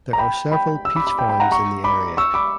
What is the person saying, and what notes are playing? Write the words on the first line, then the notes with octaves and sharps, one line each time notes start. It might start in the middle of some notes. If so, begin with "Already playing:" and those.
There are several peach farms in the area.
A#5
G5 B5
G5 B5
E6
B5 D6
B5 D6
G5 B5
G5 B5
F#5 A#5
A#5 C#6
B5 D6
C#6 E6
B5 D6